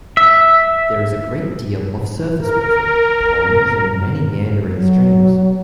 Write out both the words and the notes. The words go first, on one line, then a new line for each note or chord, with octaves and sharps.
There is a great deal of surface water: ponds and many meandering streams.
E5
A#4
F#3